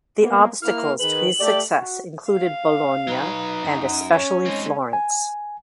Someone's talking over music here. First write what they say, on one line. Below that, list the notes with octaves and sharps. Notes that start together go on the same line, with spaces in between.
The obstacles to his success included Bologna and especially Florence.
A#3 B3
A#3 E4 F6
D#3 G#4 B4 F#7
A3 G4 D5
F#4
F5
F#3 D#4 B4
F#2
C#4
G#3 C4 D#4
G#5